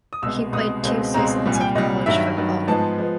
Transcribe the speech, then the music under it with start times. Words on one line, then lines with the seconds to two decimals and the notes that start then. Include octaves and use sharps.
He played two seasons of college football.
0.13 D#6
0.22 C2 B2 G#3 E6
0.52 C2 B2 G#3 D#6
0.83 C#2 B2 G#3 C4
1.14 C#2 B2 G#3 C4 A#5
1.46 C2 A#2 G3
1.55 G#5
1.61 G5
1.75 C2 A#2 G3 D#5
2.06 G2 D#3 F#3 E5
2.37 G2 D#3 F#3
2.67 G#2 F3 G#3 B3 A5
2.98 F3 G#3 B3